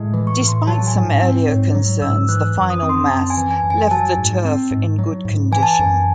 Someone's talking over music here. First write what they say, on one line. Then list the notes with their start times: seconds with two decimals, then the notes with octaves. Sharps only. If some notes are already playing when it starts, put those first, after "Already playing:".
Despite some earlier concerns the final mass left the turf in good condition.
Already playing: A2 G#3
0.14 E3
0.27 C#6
0.40 A2
0.48 C6
0.67 F#3 A5
0.87 G#5
0.95 G#2
1.22 C4
1.48 G#2 C#5
1.75 F#3
2.02 G#2 E6
2.29 E3 F#6
2.56 F#2
2.70 D#6
2.83 C4
2.89 C6
3.09 F#2 A5
3.30 G#5
3.37 E3
3.51 G#5
3.64 F#2
3.70 G#5
3.81 G#5
3.91 F#3 A5
4.18 G#2
4.45 C4
4.71 G#2
4.99 F#3
5.25 G#2
5.52 E3 G#5
5.63 A5
5.74 G#5
5.79 F#2